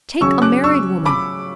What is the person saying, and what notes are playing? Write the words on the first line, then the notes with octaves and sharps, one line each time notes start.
Take a married woman.
C#3 F#3 C#4 C#6 E6
D6 F#6
C#6 E6
B5 D6